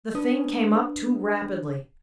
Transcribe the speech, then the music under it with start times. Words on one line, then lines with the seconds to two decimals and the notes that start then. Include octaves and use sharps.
The thing came up too rapidly.
0.15 D4 B4 D#6